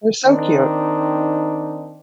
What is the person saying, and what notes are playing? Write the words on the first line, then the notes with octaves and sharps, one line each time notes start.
They're so cute.
D#3 C4 D4 D#4